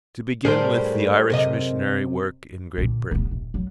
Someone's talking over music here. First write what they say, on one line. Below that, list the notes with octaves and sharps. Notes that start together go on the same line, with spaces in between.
To begin with the Irish missionary work in Great Britain.
A2 G3 D4 G#4 A#4 C5
F#2 C3 D#5
A#2 D3
D#1 B3
D#1
F#3